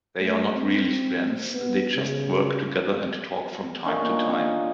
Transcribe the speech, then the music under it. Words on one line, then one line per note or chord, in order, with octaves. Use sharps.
They are not really friends, they just work together and talk from time to time.
A3
C4
B3
C#3
A#2 D3 C#4 D#4